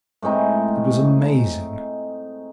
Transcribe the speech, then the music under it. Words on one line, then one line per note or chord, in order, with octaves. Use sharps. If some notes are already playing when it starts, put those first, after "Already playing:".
It was amazing.
A2 G#3 C4 D#4